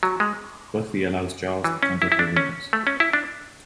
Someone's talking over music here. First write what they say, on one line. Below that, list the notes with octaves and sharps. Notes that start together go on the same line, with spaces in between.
Buffy allows Giles to tend her wounds.
F#3
G#3
E3
C#4
E4
E4
D4
C#4
A3
C#4
E4
D4